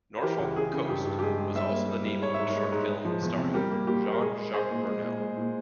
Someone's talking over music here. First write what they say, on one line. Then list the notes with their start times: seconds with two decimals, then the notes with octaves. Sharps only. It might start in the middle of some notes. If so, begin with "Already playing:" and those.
"Norfolk Coast" was also the name of a short film starring Jean Jacques Burnel.
0.17 C5
0.23 E3 G4 A#4
0.39 C#2
0.56 C#2 G#4
0.73 C#3
0.89 G2 G4
1.06 G2
1.19 G4
1.22 G#3 G#4
1.40 G#3
1.55 G3 C5 E5
1.72 A#3
1.89 G3
2.05 G3
2.21 G#2 C#5
2.34 G#2 E5
2.48 A#4 C#5
2.55 G#3
2.72 G#2
2.89 G#3
3.05 F3
3.22 E2
3.38 C3
3.54 G3 G4 A#4
3.71 A#3
3.87 A#2 G4
4.04 A#3
4.12 A#4
4.20 G#3 G#4
4.37 G#3
4.53 G#3 G#4 C5
4.71 A#2
4.87 G#3
5.04 A#2
5.20 G#3
5.37 A#2